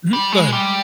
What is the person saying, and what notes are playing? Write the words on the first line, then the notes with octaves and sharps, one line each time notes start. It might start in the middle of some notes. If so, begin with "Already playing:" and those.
Mhm, go ahead.
G3
G#3
G3